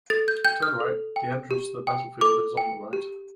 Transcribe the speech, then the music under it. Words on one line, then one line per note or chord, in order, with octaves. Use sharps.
Turn right; the entrance to the battlefield is on the right.
A4 A6
G6
G5 G6
F6
A4
G5
G4
G5
A4 D6
G5
G4